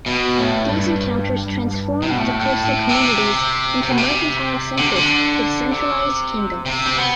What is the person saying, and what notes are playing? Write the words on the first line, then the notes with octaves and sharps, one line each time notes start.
These encounters transformed the coastal communities into mercantile centers within centralized kingdoms.
B2
A2
G2
C3
B2
A2
A2
A2
C3
C3
B2
C3
D3
C3
D3
C3
C3
C4
B3